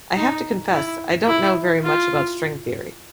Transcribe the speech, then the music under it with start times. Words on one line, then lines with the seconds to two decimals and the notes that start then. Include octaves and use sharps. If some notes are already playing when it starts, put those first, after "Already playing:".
I have to confess I don't know very much about string theory.
0.17 D#4
0.72 E4
1.28 E4
1.84 F4